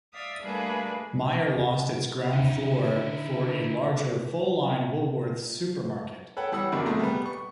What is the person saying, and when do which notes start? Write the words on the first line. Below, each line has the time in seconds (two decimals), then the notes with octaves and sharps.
Myer lost its ground floor for a larger 'full-line' Woolworths supermarket.
0.14 D5 E5 F5 D#6
0.42 G3 A3 A#3 D4 G#4 B4
2.33 D3 D#4 E4
6.37 A4 B4 C#5 F#5 G5
6.52 E3 G3 C#5 F#5 E6
6.72 G#1 F#2 C3 D4 A#4
6.86 D#2 C3 A3 G#4 A4 A#5
6.99 G3 B3
7.26 C#6